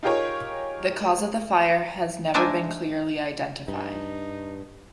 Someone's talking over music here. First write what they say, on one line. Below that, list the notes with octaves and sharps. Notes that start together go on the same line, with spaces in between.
The cause of the fire has never been clearly identified.
D#4 F4 G4 G#4 A#4 C#5
G#3 D4 D#4 E5 G#5
G2 D#4